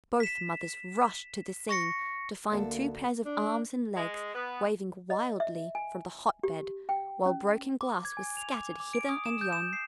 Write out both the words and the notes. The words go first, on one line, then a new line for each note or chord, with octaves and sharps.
Both mothers rushed to the scene to find two pairs of arms and legs waving wildly from the hot-bed, while broken glass was scattered hither and yon.
B6 E7
C#6 A#6 C#7
D2 A#3 A4
D4
G#3
B3
D#5
E5
G#5
G4
G5
C#4
D6
G#6
G#5
F7
D6
D6
D7
D#6
E7
G6
E7
C7